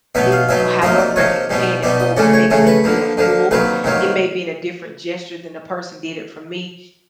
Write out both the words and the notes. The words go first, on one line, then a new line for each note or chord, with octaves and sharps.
it however it paying it forward makes me feel full, it may be in a different gesture than the person did it for me,
B2 F#3 B3 D#4 E5
F5
B2 F#3 B3 D#4 E5
C3 F3 A#3 D#4 E5
D5
C3 F3 A#3 D#4 C#5
B2 G3 B3 D#4
B2 G3 B3 D#4 D5
D#5
C#3 E3 A3 C#4 D5
C#5
C#3 E3 A3 C#4
B4
D3 F3 A#3
D3 F3 A#3
C3 D#3 F#3 A#3 B4
C3 D#3 F#3 A#3